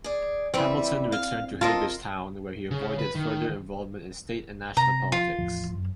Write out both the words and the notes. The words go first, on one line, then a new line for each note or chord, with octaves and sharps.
Hamilton returned to Hagerstown where he avoided further involvement in state and national politics.
G#4 D5
E3 G3 C4 E5
F5
F4 A4 A#4 C5 D#5
C#3
B4
D#3
C3 A#5
F3 F4
E2 A2 F3
F#2